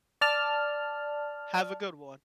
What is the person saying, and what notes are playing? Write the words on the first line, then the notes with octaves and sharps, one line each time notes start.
Have a good one.
D5 A5 F6